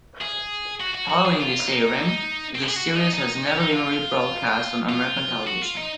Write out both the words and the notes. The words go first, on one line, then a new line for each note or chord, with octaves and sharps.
Following this airing, the series has never been rebroadcast on American television.
G#4
F#4
F#4
F#4
G#4
F4
D#4
C4
G#4
F#4
D#4
D#4
C#4
D#4
F4
F4
F#4
F4
D#4